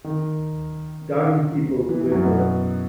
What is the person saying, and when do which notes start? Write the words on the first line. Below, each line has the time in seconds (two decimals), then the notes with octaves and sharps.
Dargin people live there.
0.04 D#3
1.89 E3
2.01 E3
2.12 F#2 F#3
2.23 B2 B3